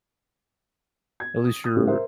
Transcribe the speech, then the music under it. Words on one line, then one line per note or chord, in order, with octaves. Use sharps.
At least you're
G#6
D#6
D#6
C#2 A2 C#3 G3
A#4 C5 E5